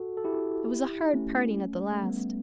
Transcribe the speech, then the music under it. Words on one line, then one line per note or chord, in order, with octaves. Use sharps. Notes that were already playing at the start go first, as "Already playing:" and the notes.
It was a hard parting at the last.
Already playing: F#4 A4
A4
E4 G4
A3 C#4
A3
G3 B3